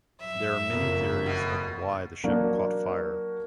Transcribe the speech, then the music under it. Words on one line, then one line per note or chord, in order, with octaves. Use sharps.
Their are many theories of why the ship caught fire.
F#2 E5
F#1 F2 A#3
B2
F#3 A#3 D4 F#4